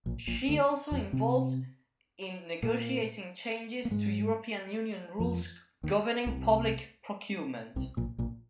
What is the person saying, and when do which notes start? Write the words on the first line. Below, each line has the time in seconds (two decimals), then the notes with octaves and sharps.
She also involved in negotiating changes to European Union rules governing public procurement.
0.06 A#1 A#2
0.27 A#1 A#2
0.49 D2 D3
0.92 F2 F3
1.13 C3 C4
2.63 A#2 A#3
3.85 A#3
3.91 G#2 G#3
5.19 F2 F3
5.83 D#2 D#3
6.26 C2 C3
7.76 C2 C3
7.97 A#1 A#2
8.18 A#1 A#2